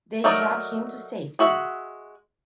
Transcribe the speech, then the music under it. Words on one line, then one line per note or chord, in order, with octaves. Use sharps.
They drag him to safety.
F#3 A3 D#4 A#4 D5
G#3 F#4 E5 F#5